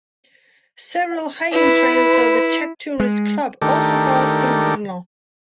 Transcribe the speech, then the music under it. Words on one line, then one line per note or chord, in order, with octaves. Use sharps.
Several hiking trails of the Czech Tourist Club also pass through Brno.
E4 B4
G#3
D#3 A3 D4 G4 A4 A#4